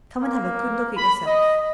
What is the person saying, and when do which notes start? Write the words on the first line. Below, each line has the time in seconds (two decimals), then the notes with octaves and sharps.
"Come and have a good look at yourself."
0.20 A#3
0.96 B5
1.26 D#5